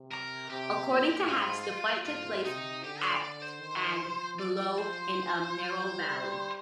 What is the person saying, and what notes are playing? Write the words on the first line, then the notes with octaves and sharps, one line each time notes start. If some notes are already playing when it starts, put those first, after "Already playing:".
According to Hatch, the fight took place at and below in a narrow valley.
Already playing: C3
A#4
C3 G4
A#2
G#2 F4
G#2 F4
C3 D#4
D3 G4
D5
D3 D5
C5
D#3
F3
D5
C5
G3